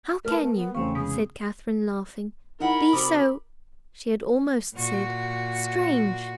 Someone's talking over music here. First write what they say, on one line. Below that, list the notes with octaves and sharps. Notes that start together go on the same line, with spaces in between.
"How can you," said Catherine, laughing, "be so--" She had almost said "strange."
A3 A#4 B4 F6
A3
B3
E2 C#3 A3 C4 F5 C#6
C3 G#3 B3 G#4 D#6
D#4 E4 G#4 A#4 F#5 B5
C3 F#4 D5 D6 D#6
A#2 F#4